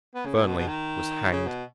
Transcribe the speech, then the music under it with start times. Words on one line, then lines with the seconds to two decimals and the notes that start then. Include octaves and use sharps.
Fernley was hanged.
0.15 B3
0.25 C#3
0.35 A#2
0.47 B2
0.57 B2
0.67 D#3
1.31 C#3
1.47 B2